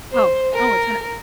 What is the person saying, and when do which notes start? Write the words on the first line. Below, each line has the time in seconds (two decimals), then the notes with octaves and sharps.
Oh, oh, it's an
0.12 C5
0.53 A#4